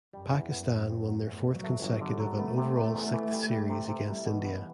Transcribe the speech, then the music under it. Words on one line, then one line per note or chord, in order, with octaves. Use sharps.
Pakistan won their fourth consecutive and overall sixth series against India.
F#2 G3
E2
F#2
B3
F#3
C4
F#3
E2 A2
B2
F#3
A3
G1 F#3
D3
G3
F#3
A3 B3
C3
C3
E2
E3
G3
G3
C3
C3
G3 E4
B2
E3
B3